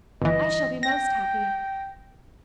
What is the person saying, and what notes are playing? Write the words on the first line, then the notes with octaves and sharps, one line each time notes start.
"I shall be most happy."
G1 E3 D#5
G5 A#6